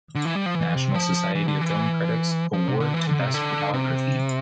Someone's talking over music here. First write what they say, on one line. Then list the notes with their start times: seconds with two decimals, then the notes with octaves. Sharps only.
National Society of Film Critics Award to best photography.
0.15 D3
0.25 E3
0.35 G3
0.46 F3
0.55 E3
0.75 C3
0.94 F3
1.35 E3
1.48 D3
1.61 E3
2.53 F3
2.68 C3
2.80 D3
2.94 E3
3.07 D3
3.20 C3
3.34 D3
3.73 C3